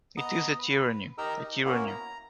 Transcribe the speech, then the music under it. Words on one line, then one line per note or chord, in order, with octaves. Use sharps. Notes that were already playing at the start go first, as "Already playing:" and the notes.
It is a tyranny — a tyranny.
B3 D#5 A#5 D#6
B4
D#4 G4 A#4 D#5 A#5 E6
D#4
A#3 B3 C#4 E4 F#4
A#5